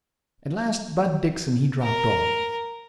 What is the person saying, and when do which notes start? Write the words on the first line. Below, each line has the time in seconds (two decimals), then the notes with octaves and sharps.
At last Bud Dixon he dropped off.
1.82 A#4